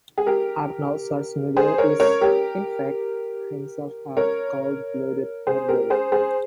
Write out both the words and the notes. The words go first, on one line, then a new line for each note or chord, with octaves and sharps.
Arnold Schwarzenegger is, in fact, himself a cold blooded murderer.
G#4
G4 A#4
G#4 C5
A#4 C#5
A#4 C#5
G4 A#4
A#4 C#5
G#4 C5
G4 A#4
G#4 C5
G#4 C5